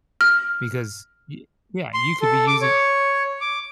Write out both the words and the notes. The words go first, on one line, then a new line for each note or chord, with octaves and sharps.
because, y yeah, you could be using
F6
C6
A4
D6
C#5
D6